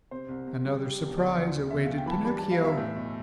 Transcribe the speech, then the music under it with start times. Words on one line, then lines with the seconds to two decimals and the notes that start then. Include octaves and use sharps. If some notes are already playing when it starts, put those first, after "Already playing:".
Another surprise awaited Pinocchio!
0.11 C3 C5
0.29 C2
0.47 C3
0.65 G3
0.82 G3
1.01 E1
1.17 D2 D5
1.36 D2
1.54 D2
1.71 E2 E5
1.85 E2 F5
1.97 G5
2.06 E3 B5
2.11 A5
2.25 G3 B5
2.38 G3 A5
2.51 F5
2.60 E2 E5
2.77 A2
2.96 B1